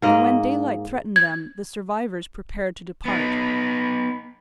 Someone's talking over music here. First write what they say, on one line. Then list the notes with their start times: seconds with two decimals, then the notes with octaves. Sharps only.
And when daylight threatened them the survivors prepared to depart.
0.02 G#2 A#3 D#5
1.16 G#6
3.05 B3 D#4